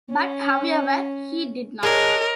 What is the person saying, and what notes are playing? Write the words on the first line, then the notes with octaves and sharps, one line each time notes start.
But, however, he did not.
C#4
G#3 D4 A#4 C#5 D#5